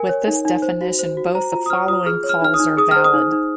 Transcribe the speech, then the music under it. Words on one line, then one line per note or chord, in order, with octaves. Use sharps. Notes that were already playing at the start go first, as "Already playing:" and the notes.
With this definition, both the following calls are valid.
Already playing: A#4 G#5
C#5
D#4
D#4
C5
F#4
C5
F#4
C5 A#5
F4 A#5
D#6
C5 F6
F4 D#6
G#4 F6
C#5
F6
D#4 F6
D#6
D#4
G#4 D#6
C5 F6
D#6
D#4
D#4